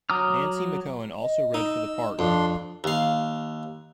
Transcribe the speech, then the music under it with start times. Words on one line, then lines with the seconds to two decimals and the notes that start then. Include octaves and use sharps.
Nancy McKeon also read for the part.
0.10 F#3 A#5 D6 D#6 F6
1.22 D#5
1.54 D#4 E6
2.19 F2 D4 C6
2.84 D#2 F5